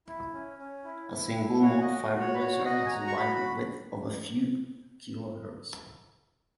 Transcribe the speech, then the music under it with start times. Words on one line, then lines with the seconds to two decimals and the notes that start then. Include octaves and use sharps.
A single mode fiber laser has a linewidth of a few kHz.
0.07 E4
0.33 C#4
0.59 C#4
0.84 E4
1.10 E4
1.36 E4
1.61 F#4 C#5
1.81 D#5
1.87 F#4
2.13 F#4
2.19 C#5
2.34 B4
2.39 F#4 C#5
2.65 F#4 D#5
2.86 G#5
2.90 F#4 A#5
3.07 C#6
3.16 F#4 B5
3.36 B5